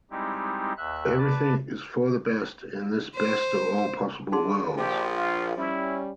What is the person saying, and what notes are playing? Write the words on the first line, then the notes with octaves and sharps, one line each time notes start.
Everything is for the best in this best of all possible worlds.
G3 G#3 C4 D#4 E4 G4
D#2 E5 F#6
B4 D5 A5
C5
D3 D#4 G#4 C6
A#1 F3 G4
F4
G3 C#4 E4